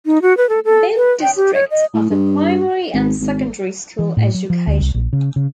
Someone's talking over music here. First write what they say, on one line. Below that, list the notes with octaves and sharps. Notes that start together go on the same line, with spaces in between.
Both districts offer primary and secondary school education.
D#4
F#4
B4
A4
A4
B4
G5
G4
C#5
D#5
A2
G2
G#1
G#1
E3
A2
F#3
F3
D2
C2
A#1
C#3
C#3